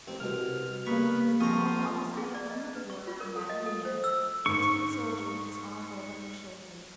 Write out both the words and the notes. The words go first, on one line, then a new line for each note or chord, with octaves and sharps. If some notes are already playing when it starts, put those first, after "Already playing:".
The dolls all sat upon the floor around Raggedy Ann, the tin soldier with his arm over her shoulder.
A1 C4
C2 B2 F6
G2 C#3 A#3 B3 C#6 F6
F3 C4 A4 A#5 C6 C#6 D#6
G#4
D5
D#5
B4
C#6
F4
A#4
A4
D#5
A4
C5
E6
G#2 C#6